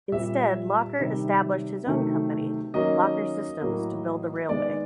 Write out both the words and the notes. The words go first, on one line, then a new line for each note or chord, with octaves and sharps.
Instead, Locher established his own company "Locher Systems" to build the railway.
A#2 G3 C4 E5
C3 D#3 G3
C3 D#3 F#3 A3
D#3 F#3 A#3 C#4 D#5
A2 F#3 A#3
D#3 G#3 B3 D5